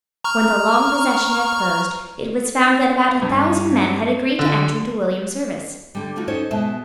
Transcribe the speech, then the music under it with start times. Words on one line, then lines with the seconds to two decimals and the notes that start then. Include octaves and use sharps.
When the long procession had closed, it was found that about a thousand men had agreed to enter into William's service.
0.24 A#5 C#6 F6
3.22 G2
4.39 D3
5.95 D3 G3
6.16 G3 A3 D#4 F4 F#4
6.28 C#4 D#4 A4 C5 C#5
6.51 B2 G#3 E5 A5